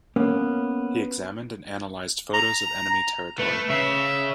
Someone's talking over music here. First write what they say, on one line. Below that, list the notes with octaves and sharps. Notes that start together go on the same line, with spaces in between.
He examined and analysed photos of enemy territory.
A#3 B3 C#4
A#5
A3 B4
C#3 E5